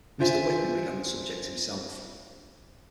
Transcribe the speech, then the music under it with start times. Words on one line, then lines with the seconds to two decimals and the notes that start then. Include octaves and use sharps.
Mr. Wickham began the subject himself.
0.19 D4 F4 C5 E5 G#5